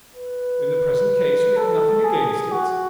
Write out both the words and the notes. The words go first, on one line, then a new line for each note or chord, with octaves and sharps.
"In the present case we have nothing against it."
B4
A4
G#4
F#4